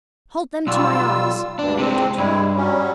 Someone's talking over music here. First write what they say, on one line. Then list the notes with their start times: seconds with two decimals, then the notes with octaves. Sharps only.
"Hold them to my eyes," I ordered.
0.67 B1 G3 F4 E6
1.59 D2 G2 D4
1.79 C3 G#3 C4
2.18 G2 G3 G#3 E4
2.55 F#3 G3 C#4